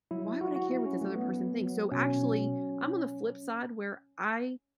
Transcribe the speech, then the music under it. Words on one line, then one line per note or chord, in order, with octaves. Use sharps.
why would I care what this other person thinks? So, actually, I'm on the flip side where I
F#3 E4
E4
F#3 F#4
F#4
F#3 E4
C#4
F#3 A3
B3
F#3
F#3
B2 C#4
F#3